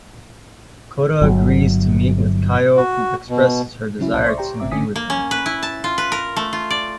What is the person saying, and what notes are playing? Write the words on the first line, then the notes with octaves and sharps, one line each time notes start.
Kota agrees to meet with Kayo who expresses her desire to be with him.
G1 F#3
F#4
B2
C#3 F#3 C#4 E4
C2 C#5 A5
C5 D5 E5 C6 C#6
G4 G5 A#5
G#1 A2 C#3 C4 E5 D6
G#2 D3 C#4 G#5 D#6 B6
A#3
C#4
B4
E4
A5
F4
B4
A#4
A3
F4
D5